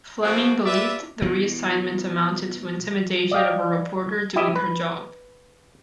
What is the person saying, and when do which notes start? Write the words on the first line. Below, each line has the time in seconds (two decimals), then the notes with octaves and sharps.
Fleming believed the reassignment amounted to intimidation of a reporter doing her job.
0.23 F3 G#3 A#3 C4 E4 F#4
0.66 F4 G4 B4 D5 E5
1.22 B2 E3
3.31 D5 D#5 F5 G5
4.36 E4 G4 D#5 E5
4.56 B4